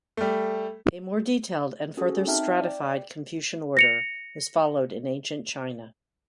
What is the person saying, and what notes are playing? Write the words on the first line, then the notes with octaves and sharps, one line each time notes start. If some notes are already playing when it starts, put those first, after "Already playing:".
A more detailed and further stratified Confucian order was followed in ancient China.
G3 A3
C#4 F#4 G#4 A4
C4 D#4 E5 G5 A5 F6
D5 G5
A#6 C#7 F7